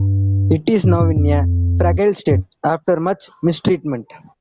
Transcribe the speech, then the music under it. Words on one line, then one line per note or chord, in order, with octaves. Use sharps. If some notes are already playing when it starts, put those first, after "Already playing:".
It is now in a fragile state after much mistreatment.
Already playing: G2
G2
F#2
F2
F#2